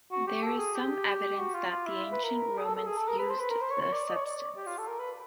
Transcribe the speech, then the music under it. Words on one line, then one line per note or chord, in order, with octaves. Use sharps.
There is some evidence that the ancient Romans used the substance.
F#4
G4
A4
G#4
G4
F#4
F4
F4
E4
B4
A#4
G#4
A4
A4
G#4
A4
A#4
B4
C5
B4
A#4
C5
C#5
C#5
D5
D#5
C#5
D5
G4
F4
A4
A#4
B4